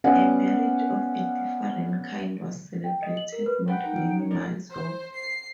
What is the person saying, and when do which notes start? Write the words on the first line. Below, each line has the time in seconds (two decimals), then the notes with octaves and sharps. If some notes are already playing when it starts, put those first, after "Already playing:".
A marriage of a different kind was celebrated not many miles off.
0.04 B3 C#4 D5 F5 F#5 G#5
2.84 G5
3.02 D#5
3.17 F#7
3.32 A#4
3.46 B4
3.68 B4 F#5 G5
3.84 D#4 A#4
4.18 C#5
4.31 C#4 A#4 D5
4.70 C5
5.15 C7